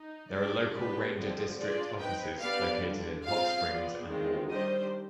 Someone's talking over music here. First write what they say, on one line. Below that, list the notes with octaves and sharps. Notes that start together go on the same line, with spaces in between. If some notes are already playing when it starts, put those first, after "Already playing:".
There are local ranger district offices located in Hot Springs and Wall.
Already playing: D#4
G#3 D4 G4 D5
G#3 B3 D4 G4 B4
D3 F3 G#3 C4 G4
G#3 D4 F4 G#4 D5
C4 D#4 B4 G5
B3 D4 G4 B4 D5 F5
D3 G3 D4
C4 F4 G#4 F5
B3 F4 G#4 D5
D#3 G#3 C4 F4
D#3 G3 D4 G4 C5 D#5